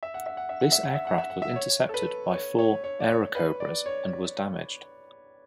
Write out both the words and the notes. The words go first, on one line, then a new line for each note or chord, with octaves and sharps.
This aircraft was intercepted by four Airacobras and was damaged.
E5
F#5
E5
F#5
E5
F#5
E5
F#5
E5
F#5
E5
F#5
E5
C#5
A4
B4
C#5
C#5
C#5
D5
C#5
B4
D5
C#5